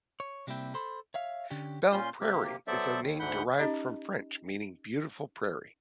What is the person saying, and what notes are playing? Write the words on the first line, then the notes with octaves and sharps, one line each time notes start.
Belle Prairie is a name derived from French meaning "beautiful prairie".
C#5
C3 G3 A#3 C4 E4 G4
A4 C5 B5 C6
C#5 E5 F5
D3 C#4 D4 G4
A#2 C#4 F4 C6 G6
C3 A#3 G4
F#3 B3 A4 C5 D5 E5
D#2 D#3
D2 G#2 D3 F#5 B5 G6
C#4 D#4 G4 D#5